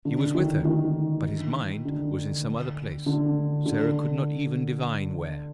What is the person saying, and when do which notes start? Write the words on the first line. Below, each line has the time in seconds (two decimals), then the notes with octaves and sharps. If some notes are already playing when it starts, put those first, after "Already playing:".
He was with her, but his mind was in some other place, Sarah could not even divine where.
0.05 D3
0.35 D#3
0.65 D#3
1.85 D3
3.06 D3
3.66 D3